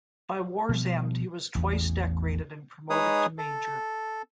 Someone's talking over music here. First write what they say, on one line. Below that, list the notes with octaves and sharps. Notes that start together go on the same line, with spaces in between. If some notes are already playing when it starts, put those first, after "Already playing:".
By war's end he was twice decorated and promoted to major.
B2 F3 G3
A1 E2
G#3 D#4 G#4 B4 C#5 D#6
A4